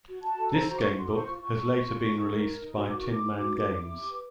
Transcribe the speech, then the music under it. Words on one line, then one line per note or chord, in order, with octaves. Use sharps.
This gamebook has later been released by Tin Man Games.
F#4
F#4 A5
A4
C5 A#5
F#4 A#5
D6
F#4 C#6
A4 C6
D6
C5 C#6
F4
F4 C#6
A4
C5
F4
F4
A4
A#4
D#4
D#4
F#4
A#4 D6
C#6
D#4 D6
D#4
F#4
B4
E4
E4
G4
B4